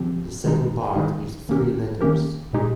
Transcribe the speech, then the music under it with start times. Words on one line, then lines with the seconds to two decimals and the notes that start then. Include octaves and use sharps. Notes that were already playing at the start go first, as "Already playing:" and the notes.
The second part is three letters.
Already playing: C#3 F3 C4 G4
0.44 D#3 G#3 D#4
0.96 D#3 G#3 D#4
1.49 D#3 A#3 C#4 G4 A#4
2.01 D#3 A#3 C#4 G4 A#4
2.53 A#2 G#3 D#4 G4